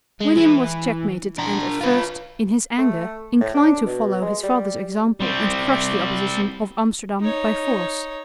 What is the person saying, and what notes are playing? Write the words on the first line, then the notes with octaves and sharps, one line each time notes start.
William was checkmated and at first, in his anger, inclined to follow his father's example and crush the opposition of Amsterdam by force.
G#3
E3
D4 A#4
F4 B4
A3
A2
D4
B2
G#3
G3
G3 C4
D#4 C#5